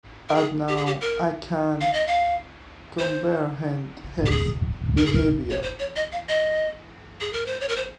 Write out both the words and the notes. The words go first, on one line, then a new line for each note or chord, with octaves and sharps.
And now I can comprehend his behaviour.
A#4
G#4
G4
G#4
G4
A#4
F5
D#5
F5
C5
G4
G#4
A#4
G#4
A#4
C#5
C5
C#5
D#5
F5
D#5
G#4
A#4
C5
C#5
A#4
C5